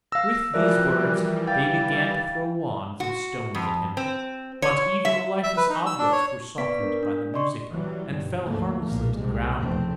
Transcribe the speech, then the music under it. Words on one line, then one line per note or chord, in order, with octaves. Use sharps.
With these words they began to throw wands and stones at him, but even the lifeless objects were softened by the music, and fell harmlessly to the ground.
F5 E6 A#6
E3 F3 G3 F#4 A#4 D5 E5 F#6
F5 G5 A6
F#4
F2
C4
C#5
E5
E5
B4
D#4
E6
D4
C#5
B3 B4 D5 C#6 B6 D7
D4 A#4
D4
D5 D#5 C6 C#6
E3 F#3 G3
G2 B2
D2 G#2 F3 A3 A#3
B1 A#2 A#3
C2 C3 G#3
F1 B1 E2 A3 C4